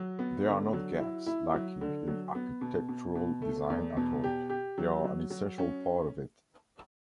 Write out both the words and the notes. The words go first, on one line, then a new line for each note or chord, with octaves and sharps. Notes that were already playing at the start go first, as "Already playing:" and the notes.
They are not gaps lacking in architectural design at all, they are an essential part of it.
Already playing: F#3
B3
D3
F#3
E4
E4
F#3
D3
F#3
B3
B2
B2
B2
A3
E2
B2
G4
G4
F#3
F#3
F#3
C#4